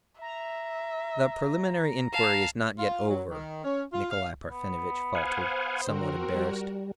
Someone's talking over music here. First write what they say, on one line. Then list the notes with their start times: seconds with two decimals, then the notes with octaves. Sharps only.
"The preliminary inquiry is not yet over," Nikolay Parfenovitch faltered, somewhat embarrassed.
0.21 E5 A#5
2.13 F5 A5
2.79 F4
3.09 F#3
3.31 D#3
3.64 C#4
3.92 F4
4.11 F5
4.51 B3
5.15 C5 F5 F#5 G#5
5.87 D3 C4 F#4 A#4
6.34 G3